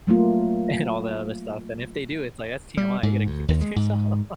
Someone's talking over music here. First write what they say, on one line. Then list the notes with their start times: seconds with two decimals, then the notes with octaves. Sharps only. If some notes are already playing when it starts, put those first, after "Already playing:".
and all that other stuff and if they do, it's like, "That's TMI, you gotta keep that to yourself."
0.07 F#3 A3 A#3 F4
2.77 G3
3.03 G#2
3.27 D2
3.48 D#2
3.61 G#3
3.76 G#2